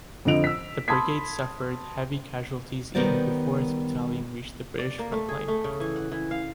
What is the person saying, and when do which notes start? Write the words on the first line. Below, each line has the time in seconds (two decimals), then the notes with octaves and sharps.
The brigade suffered heavy casualties even before its battalions reached the British front-line.
0.25 F2 D3 F3 D#5 D7 F7
0.44 E6 B6
0.88 A5 B5 C6 D#6 G#6 B6
2.95 D#3 G3 B3 A#4 C5 D5
4.79 D5
4.99 A#3
5.12 A3
5.29 G#4
5.48 A3
5.64 C#3
5.80 E3
5.96 F#5
6.12 E3
6.31 F5